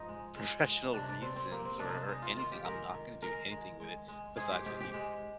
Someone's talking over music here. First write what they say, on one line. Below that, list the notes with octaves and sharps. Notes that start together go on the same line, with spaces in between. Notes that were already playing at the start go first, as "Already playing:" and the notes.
professional reasons, or or anything. I'm not going to do anything with it, besides maybe
Already playing: G#2 F3 D#4
G#3
G#3
G#3
C3 D4
D4
G3 C4
C4
G3 A#3
C4
C3 D4
D#4
D4
G#3 D#4
F4
D#3 F4
G4
G#3 A#4
D#3
G#3 A#4
G#3
G#3
G#3
G#2 G#4
G4
G#2 G4
G4
G#3